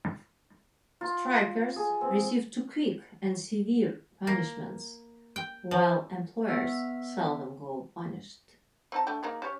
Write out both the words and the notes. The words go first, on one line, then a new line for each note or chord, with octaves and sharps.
Strikers receive too quick and severe punishments while employers seldom go punished.
F4
G#4
C4
A#3
G5
F3
B3 E5 F6
C4 D#4 A5
A3 D4 G5
A#3 D#4 G#4
C#4 G4 C#5